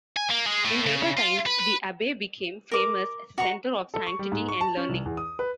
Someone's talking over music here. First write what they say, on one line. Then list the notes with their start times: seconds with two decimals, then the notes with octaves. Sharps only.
In later times the abbey became famous as a centre of sanctity and learning.
0.16 G#5
0.30 A#3
0.46 G#3
0.65 A2
0.86 C#3
1.17 F4
1.46 B4
1.60 B4
2.71 A#4 D6
3.38 F#4 A#5 C#6
3.94 A4
4.07 C#6
4.19 G3
4.32 G#2
4.49 C#6
4.61 A5
4.77 C#4
4.89 C2
5.06 E2
5.17 D#6
5.39 B4